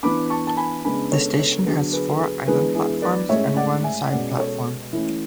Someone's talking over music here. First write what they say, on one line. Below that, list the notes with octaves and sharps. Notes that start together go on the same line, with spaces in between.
The station has four island platforms and one side platform.
E3 B3 D4 B5 D6
A5 C#6
A5
G#5 B5
C#3 G#3 B3 D4 G#5 B5
A4 C#5
A4 C#5
A4
D3 F#3 B3 D4 G#4 B4
G#4 B4
A4
G#4 B4
E3 G#3 B3 D4 G#4 B4
E4 G#4
B4 D5
A2 G#3 C#4 C#5 E5
D5 F#5
E5 G#5
B2 G#3 C#4 D5 F#5
D5
A4 C#5
E3 A3 C#4 E4